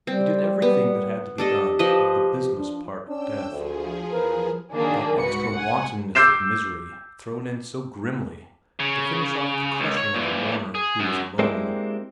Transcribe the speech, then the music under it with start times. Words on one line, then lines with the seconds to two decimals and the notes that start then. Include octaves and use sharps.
He did everything that had to be done of the business part of death--that extra wantonness of misery thrown in so grimly to finish off the crushing of a mourner who is alone.
0.07 G3 C4
0.62 B3
1.38 D4 G4 A4 D#5
1.79 F3 B4 D#5
2.57 D4
3.08 C#4 D4 G5 E6
3.50 D2 F3 G#4
4.11 E2 A#4 B4
4.72 D3 D#3 F#3 A#3 D4 G#4
5.19 C2 G#2 F#4 B4 C#7
5.53 F#5 G#5
6.15 D6 E6 G6 C7 E7
8.80 C#3
9.80 C#2
9.97 C#5
10.14 A#2 E3
10.75 G#4
11.00 F#2
11.39 G#3 A#3 C4 D4 E4 G4